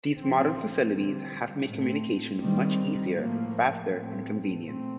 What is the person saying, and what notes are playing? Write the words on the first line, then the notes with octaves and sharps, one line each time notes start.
These modern facilities have made communication much easier, faster and convenient.
A#2 F3 C4
D3 G3 C4
A2 A3 C4
D#3 G3 C4
A2 F3 A#3
A2 A3 C4
A#2 A3 C4